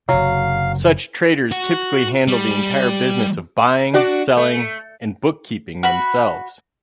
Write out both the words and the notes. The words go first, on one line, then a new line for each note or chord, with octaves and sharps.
Such traders typically handle the entire business of buying, selling, and book-keeping themselves.
F#1 C3 F#3 F5
F#4
G3
D4 F#4 D5
A3
F#4 B5